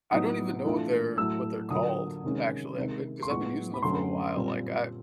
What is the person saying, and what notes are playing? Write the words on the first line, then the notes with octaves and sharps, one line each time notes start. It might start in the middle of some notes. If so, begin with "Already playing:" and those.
I don't even know what they're what they're called, actually, I've been 'cause I've been using them for a while, like, I
A2 F#3 B3 D#4 D#6
E3 A3 D4 F4
A2 F#3 A3 E6
D3 F#3 A#3 D4 F4 D#6
C3 D#3 G#3 C#4
C3 D#3 G#3
C6
A2 F3 G#3 B3 C#6
B5
F#2 D3 F#3 A3 C#4 C6
A#2 G3 C4